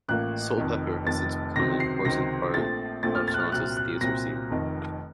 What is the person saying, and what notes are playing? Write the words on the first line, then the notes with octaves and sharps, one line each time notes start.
Soulpepper has since become an important part of Toronto's theatre scene.
A1 A2 F3 A#3 F#6
F1 F2 D#3
F1 F2 D#3 A6
C#2 C3 D#3 F#3 C4 A#6
C7
C#2 C3 D#3 F#3 C4 A#6
A#1 A#2 F3 A3 C4 A6
A#1 A#2 F3 A3 C4 A6
F6
A6
F#6
F6
C2 A#2 F#3 C4 F#6
F#6
C2 A#2 F#3 C4 A#6
F1 F2 D#3